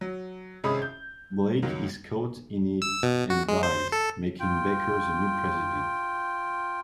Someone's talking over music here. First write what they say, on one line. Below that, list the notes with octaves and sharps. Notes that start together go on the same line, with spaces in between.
Blake is caught in it and dies, making Becker the new President.
F#3
G#1 C3 G#3 C#4 B5 D#6
G6
C#2 D#3 F#3
E6
B2
F#4
G#3
C5
A4
F4 G5